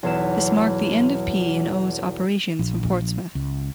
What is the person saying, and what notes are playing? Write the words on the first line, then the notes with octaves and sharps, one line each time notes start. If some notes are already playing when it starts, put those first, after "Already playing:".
This marked the end of P and O's operations from Portsmouth.
B1 E2 E7
A#1
C#2